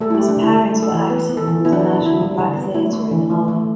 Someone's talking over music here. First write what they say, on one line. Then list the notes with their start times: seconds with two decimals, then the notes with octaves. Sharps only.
His parents were active with the National Black Theater in Harlem.
0.01 A3 A4
0.10 E4
0.15 A3 G4
0.28 D4
0.37 D3
0.42 E4
0.55 A3
0.74 A3
0.82 A4
0.92 E3
1.10 B3 B4
1.29 B3
1.37 A4
1.47 E3
1.65 B3 E4
1.73 D4
1.79 B3 E4
1.92 D4
2.01 D3 E4
2.20 G3
2.39 D3
2.57 B3
2.74 A3 E4
2.93 A3
3.11 E3
3.30 A3
3.48 A3